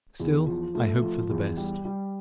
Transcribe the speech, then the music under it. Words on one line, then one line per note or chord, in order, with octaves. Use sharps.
Still I hope for the best.
E2
F3
A3
F3
E2
G3
G3